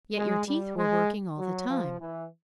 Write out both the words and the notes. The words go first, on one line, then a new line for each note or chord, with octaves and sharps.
Yet your teeth were working all the time.
G#3
G3
G#3
F#3
F3
E3